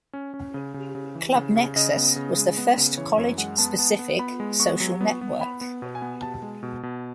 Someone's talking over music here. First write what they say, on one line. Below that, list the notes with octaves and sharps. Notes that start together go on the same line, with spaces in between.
Club Nexus was the first college-specific social network.
C#4
C#4
C#3
C#3
C#3
E3
C#3
C#3
C#3 D#5
B3
C#3
G#3
B3
C#3
E3 C#5
F#2 C#5
G#3 F#5
B3 A5
B3 A5
B3
B3 B5
G#3
B3 C#6
F#3
B3
B3
B3 B5
B3
B2
G#5
B3
B2 A5
G#3
B2
B2